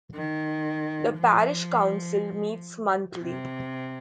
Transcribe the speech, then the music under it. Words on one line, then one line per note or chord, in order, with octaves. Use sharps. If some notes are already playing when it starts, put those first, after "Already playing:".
The Parish Council meets monthly.
D#3
F3
C3